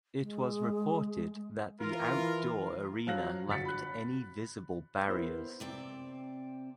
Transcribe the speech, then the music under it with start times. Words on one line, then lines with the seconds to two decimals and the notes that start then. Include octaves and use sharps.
It was reported that the outdoor arena lacked any visible barriers.
0.20 G#3
1.81 E3 F4 A#4
3.07 F3 F#3 F5 F#6 A#6 F#7
3.48 G1 F#4 A6 B6 C#7
3.65 B5 F#6
5.07 B3 E4 A#4 C5
5.60 C3 C4 D5